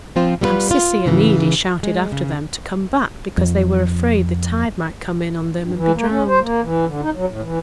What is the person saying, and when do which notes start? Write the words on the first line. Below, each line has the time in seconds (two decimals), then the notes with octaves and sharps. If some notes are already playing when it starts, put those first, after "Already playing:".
And Cissy and Edy shouted after them to come back because they were afraid the tide might come in on them and be drowned.
0.16 F3 C4 F4 C5
0.41 G3 B3 E4 F4 B4
0.71 F4
1.06 G#2 C#3 E3
1.83 G#3
2.12 C#3
3.38 F2
5.61 G2
5.76 E3
5.95 A#3
6.10 C#4
6.28 C5
6.42 A#3
6.63 E3
6.86 D3
7.02 D#4
7.15 F#3
7.28 A2
7.42 E3